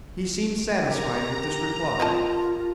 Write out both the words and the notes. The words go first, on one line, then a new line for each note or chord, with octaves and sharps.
He seemed satisfied with this reply.
G4 A#4 A#5
C4 F4 D#5 A5